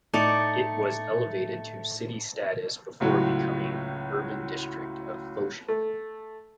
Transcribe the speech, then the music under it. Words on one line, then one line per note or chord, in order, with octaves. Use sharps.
It was elevated to city status before becoming an urban district of Foshan.
A2 A3 D#4 D5 A5 A6 C#7
C#2 A2 F#3
A3